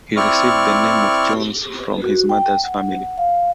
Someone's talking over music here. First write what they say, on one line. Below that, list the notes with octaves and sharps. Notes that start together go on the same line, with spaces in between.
He received the name of Jones from his mother's family.
C4 E4 D5 C#6 F6
F#4
G5
F#5
F5